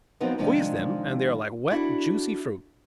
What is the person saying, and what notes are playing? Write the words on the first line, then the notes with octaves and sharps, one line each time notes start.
Squeeze them, and they are like wet, juicy fruit.
F3 F#3 B3 C4 D#4
C3 D#3 F3 G#3 D4 D#4
D4 E4 F#4 A4